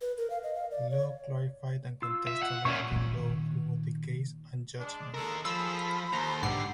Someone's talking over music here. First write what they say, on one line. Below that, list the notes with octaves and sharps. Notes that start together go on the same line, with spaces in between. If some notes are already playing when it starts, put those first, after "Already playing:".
Loh clarified and contextualized the law throughout the case and judgement.
B4
A#4
F5
D#5
F5
D5
C#5
F4 E6
E5
F#5
A#2 C#4 D5 E5 C#6
A#2 D#3
G#3 D4
D#2 G#3 A4 A#4
F3 G#4 A4 B5 E6
D#2 A4 C5 A#5
B1 G#2 D3 G4 F#5 C7